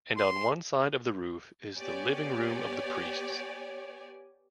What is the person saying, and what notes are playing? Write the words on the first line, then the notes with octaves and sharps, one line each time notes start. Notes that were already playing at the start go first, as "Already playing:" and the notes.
And on one side of the roof is the living room of the priests.
C6
B3 G4 C#5 D5 G#5